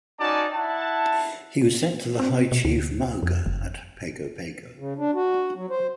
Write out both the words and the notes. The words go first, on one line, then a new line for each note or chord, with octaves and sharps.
He was sent to the High Chief Mauga at Pago Pago.
C#4 D#4 F#4 D5 A5
E4 F#5 A5
C4
B2
D2
F2
F#1
C#3
D4
F#4
F#3
C5